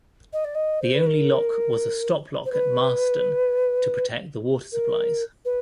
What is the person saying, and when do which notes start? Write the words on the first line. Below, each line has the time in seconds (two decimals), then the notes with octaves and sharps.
The only lock was a stop lock at Marston, to protect the water supplies.
0.33 D#5
0.44 D5
0.55 D#5
0.82 C5
0.94 B4
1.06 A#4
2.45 C5
2.52 B4
4.72 A#4
5.45 B4